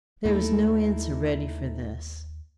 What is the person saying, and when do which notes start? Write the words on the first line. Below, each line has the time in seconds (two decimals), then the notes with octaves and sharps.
There was no answer ready for this.
0.25 D#2 A3 A#3 D#4 E4